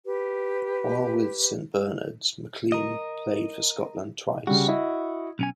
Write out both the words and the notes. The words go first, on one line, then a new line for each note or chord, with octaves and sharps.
While with Saint Bernard's, McLean played for Scotland twice.
G4 B4
A#4 D#5
C#3 G3 F#4
E4 D#5
B1 C#4 G#5